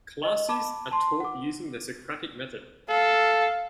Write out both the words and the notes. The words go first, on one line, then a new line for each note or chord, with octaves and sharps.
Classes are taught using the Socratic method.
D#5
A5 B5 D6
A5 C6
F#5 D6
A4 F5